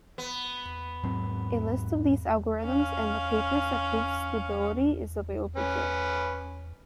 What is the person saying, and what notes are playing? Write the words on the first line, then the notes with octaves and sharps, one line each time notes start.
A list of these algorithms and the papers that proved stability is available here.
B3
G#2 F#3 C4
C#4 F5
C#4 B4